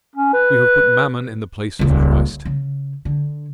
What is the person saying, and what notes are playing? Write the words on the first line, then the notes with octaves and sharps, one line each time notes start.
We have put mammon in the place of Christ.
C#4
B4
D#1 C#2
C#3
D3